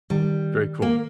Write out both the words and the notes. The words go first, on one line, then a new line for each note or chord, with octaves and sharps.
very cool.
D#3 G3
A#3